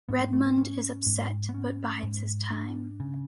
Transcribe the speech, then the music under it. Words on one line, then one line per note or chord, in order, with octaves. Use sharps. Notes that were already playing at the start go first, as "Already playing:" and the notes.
Redmond is upset, but bides his time.
G#2 B3
B3
A3
B3
C#4
G#2
B3
C#4
G#2
D4
C#3